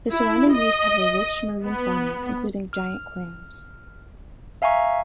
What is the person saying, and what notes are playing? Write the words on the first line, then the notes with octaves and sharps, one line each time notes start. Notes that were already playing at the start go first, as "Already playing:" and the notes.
The surrounding reefs have a rich marine fauna, including giant clams.
E4
D#5
B3
F6
E5 F5 G#5 A#5 C#6